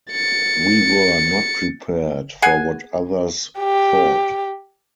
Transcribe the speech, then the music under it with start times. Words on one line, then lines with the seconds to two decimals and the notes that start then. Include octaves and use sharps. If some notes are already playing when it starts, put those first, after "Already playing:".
We were not prepared for what others thought.
0.12 A6 C#7
2.42 G#4 F#5 G#5
3.60 G4